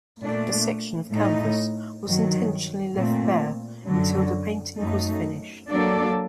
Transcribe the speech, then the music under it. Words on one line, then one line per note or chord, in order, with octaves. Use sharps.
A section of canvas was intentionally left bare until the painting was finished.
A#2 A3 D4
A2 A3 D#4
G2 D#3 F#3
A#2 A3 C4
F#2 D3 F#3
F#2 F#3 A3 D#4
F#3 A#3 D4 A4 D5